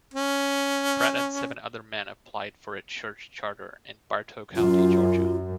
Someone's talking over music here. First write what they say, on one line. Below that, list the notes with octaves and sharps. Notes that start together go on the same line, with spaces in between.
Pratt and seven other men applied for a church charter in Bartow County, Georgia.
C#4
F#2 F4